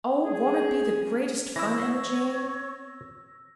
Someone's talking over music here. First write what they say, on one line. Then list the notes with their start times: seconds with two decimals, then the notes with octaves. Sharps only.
Oh! won't it be the greatest fun, Emma Jane?
0.24 G#4
1.56 E3 E4 C#5 E6 A#6